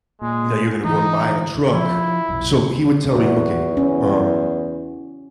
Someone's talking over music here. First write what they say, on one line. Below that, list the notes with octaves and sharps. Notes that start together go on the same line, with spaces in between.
"Now you're going to go and buy a truck." So he would tell me, "Okay, um,
A#2 G#3
D3 E3 D#4
F3 E4
F1 B1
E2 F#4
C#4